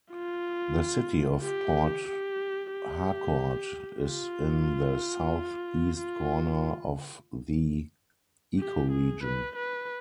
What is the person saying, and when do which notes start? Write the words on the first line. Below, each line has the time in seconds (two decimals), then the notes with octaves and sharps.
The city of Port Harcourt is in the southeast corner of the ecoregion.
0.12 F4
1.42 G4
2.07 G4
2.72 G4
4.03 F4
5.98 F4
8.59 G4
8.91 G#4
9.23 B4
9.56 B4